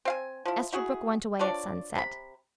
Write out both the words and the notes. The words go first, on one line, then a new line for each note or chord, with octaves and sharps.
Esterbrook went away at sunset.
C4 F5 G#5
F3 E4
E4 F#4 G#4
F3 D4 C#5 D5
C3 B5